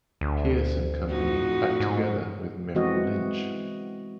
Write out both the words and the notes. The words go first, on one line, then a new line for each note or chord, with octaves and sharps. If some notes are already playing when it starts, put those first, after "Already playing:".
Pierce and Company back together with Merrill Lynch.
D2
F2 A2 D#4 F#4
G#2
E3 G#3 C4 F#4 D#5